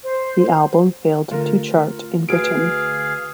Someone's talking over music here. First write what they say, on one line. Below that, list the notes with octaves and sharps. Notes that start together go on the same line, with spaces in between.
The album failed to chart in Britain.
C5
D3 A3 F4 A#4
F#4 G#4 B4 F5 D7